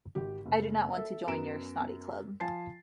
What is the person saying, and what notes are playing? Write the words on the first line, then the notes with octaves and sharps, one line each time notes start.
I do not want to join your snotty club.
G#1 G4
F#1
A4 E5
F#2 B3 A#5 D7 E7
F3 G#5 A5 A6 C7